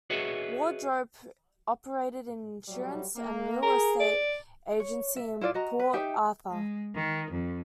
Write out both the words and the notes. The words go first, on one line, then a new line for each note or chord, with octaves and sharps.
Wardrope operated an insurance and real estate agency in Port Arthur.
F#4 G#4 B4 C#5 D#5 E5
A2 F#3 G3
A#3
G#4 A#4
D5
C#5
E5
E4 F4 C#5 D5
F#4 D#5 A#5
B4
D#4 G4 E5 G5
G#3
D#3
F2